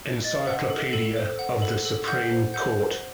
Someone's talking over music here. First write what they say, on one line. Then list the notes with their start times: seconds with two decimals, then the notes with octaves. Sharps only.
Encyclopedia of the Supreme Court.
0.24 D#5 A6
0.47 F#5
0.70 A4
0.93 A4
1.16 C5
1.39 F#5
1.62 A4
1.85 A4
2.08 F#5 G6
2.31 C5
2.54 F#5 G6
2.77 C5